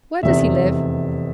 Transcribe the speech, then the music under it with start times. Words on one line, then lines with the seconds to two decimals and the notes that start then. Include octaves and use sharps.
Where does he live?'
0.22 F1 E2 C3 E5